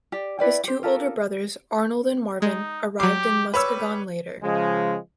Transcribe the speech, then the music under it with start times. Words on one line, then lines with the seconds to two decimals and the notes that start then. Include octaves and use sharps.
His two older brothers, Arnold and Marvin, arrived in Muskegon later.
0.12 G4 D5
0.39 E4 B4 D5 G5
0.64 G4 C5
0.83 F4 G4 A4 A#4
2.42 G#3 D#4
3.00 F#3 G4 D6 C7
3.54 G3 B4 C#5 E6
4.43 C#3 F3 G#3